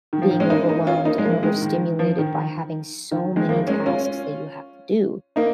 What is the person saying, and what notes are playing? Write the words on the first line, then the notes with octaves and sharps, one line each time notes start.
being overwhelmed and overstimulated by having so many tasks that you have to do,
D#3
F3
D#3
G#3 C#4
A#3 D#4
A#3 D#4
C#4 F4
A#3 D#4
G#3
F3 A#3
D#3 G#3
D#3
F3
D#3
D#3
D#3 G#3
F3 A#3
G#3 C#4
C#4 F4
A#3 D#4